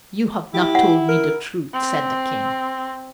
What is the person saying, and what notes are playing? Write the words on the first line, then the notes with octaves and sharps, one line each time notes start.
"You have not told me the truth," said the King.
E4 G4
F#5
A#4
C4